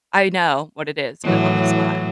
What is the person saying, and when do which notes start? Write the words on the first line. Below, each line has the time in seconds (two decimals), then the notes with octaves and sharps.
I know what it is, but on the spot,
1.23 A2 E3 F#3